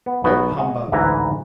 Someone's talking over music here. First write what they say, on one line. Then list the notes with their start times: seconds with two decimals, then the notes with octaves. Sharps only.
'Don't humbug!
0.06 B3
0.24 B1 B3 F#4
0.58 G#3 D#5 F#5
0.92 A1 D2 G#2 E3 B4 A#5